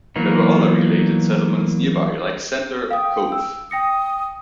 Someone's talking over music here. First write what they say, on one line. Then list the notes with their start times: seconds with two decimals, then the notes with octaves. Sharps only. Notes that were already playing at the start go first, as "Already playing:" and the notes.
There were other related settlements nearby like Centre Cove.
0.16 E3 F#3 A#3 B3 D#4
2.91 F5 G5 D#6
3.32 E6
3.71 G5 D#6 A#6 C#7